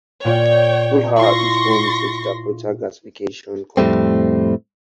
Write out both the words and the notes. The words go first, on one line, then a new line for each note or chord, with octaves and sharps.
Beulah is home to the Dakota Gasification Company.
A#2 F4 C#5 D5 G5
E4 F4 C6 C#6 A#6
F2 A2 G3 A3 C4